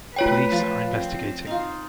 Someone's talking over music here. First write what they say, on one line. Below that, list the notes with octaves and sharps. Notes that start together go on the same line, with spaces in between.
Police are investigating.
A3 F4 B4 C#5 G5
F3 A5
C4
D#4 F4